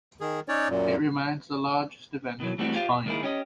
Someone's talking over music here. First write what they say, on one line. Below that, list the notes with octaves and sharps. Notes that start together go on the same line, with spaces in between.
It remains the largest event of its kind.
D#3 G#4
C#4 D#4 C#5 D5
F#2 A#2
B2 D#3 E3 F#3
E3 G3 A3 B3 C4 F#4
F4 G4 C5 F5
B2
D#3 G#3 A#3 D#4 E4 G#4
C#4 G4 D#5